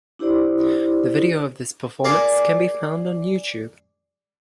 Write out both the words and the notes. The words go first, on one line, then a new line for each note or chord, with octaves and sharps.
The video of this performance can be found on YouTube.
D4 E4 G4 C5 D5
G#4 A#4 D5 F5 G#5